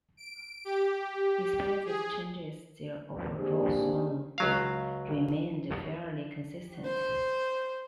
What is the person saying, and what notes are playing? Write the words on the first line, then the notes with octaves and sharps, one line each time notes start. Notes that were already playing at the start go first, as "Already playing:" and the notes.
Despite these changes, their overall sound remained fairly consistent.
D7
G4
G#4
A#3 C4 D4 G4 G#4
C#2 F#3 F5
C5